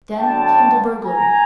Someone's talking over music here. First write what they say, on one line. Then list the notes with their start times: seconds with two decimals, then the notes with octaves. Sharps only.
Then came the burglary.
0.18 D2 D3 F#3 G5 A5
1.05 G#5 A#5